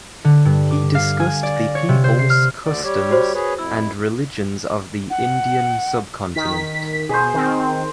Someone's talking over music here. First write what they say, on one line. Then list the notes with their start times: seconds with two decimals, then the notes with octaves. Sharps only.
He discussed the peoples, customs, and religions of the Indian subcontinent.
0.24 D3
0.45 G2
0.71 D6
0.95 F5
1.20 G#5
1.43 D5
1.56 A#6
1.75 C#5
1.89 C3
2.04 C5
2.19 C7
2.30 F6
2.65 D2 D3 D5
2.84 G3 G4 C#5
3.11 F#4 C5
3.35 G#4 B4 C#5
3.59 F2 E4 E6
5.10 F#5
6.35 D#3 B6
7.09 B2 G#4 C5
7.34 D#3 C4